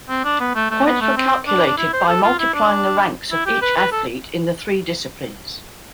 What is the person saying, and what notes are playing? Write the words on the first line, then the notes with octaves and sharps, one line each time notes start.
Points were calculated by multiplying the ranks of each athlete in the three disciplines.
C4
D4
B3
A3
A3
B3
A3
C4
D4
D4
E4
C5
A4
F4
E4
D4
E4
G4
B4
B4
A4